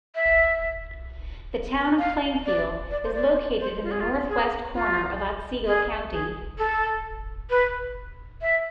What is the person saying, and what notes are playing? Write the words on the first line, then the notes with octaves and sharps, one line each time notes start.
The Town of Plainfield is located in the northwest corner of Otsego County.
E5
F5
D5
D5
C5
D5
C5
D5
C5
F4
G#4
F4
G#4
F4
G#4
G#4
A4
B4
E5